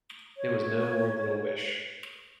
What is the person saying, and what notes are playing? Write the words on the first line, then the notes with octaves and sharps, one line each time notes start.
It was no more than a wish.
C#5